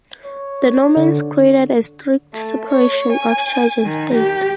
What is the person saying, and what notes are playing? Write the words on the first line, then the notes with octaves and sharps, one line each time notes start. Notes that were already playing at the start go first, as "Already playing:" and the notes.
The Normans created a strict separation of Church and State.
C#5
D3
A3
C#5
G#5
D#3
G4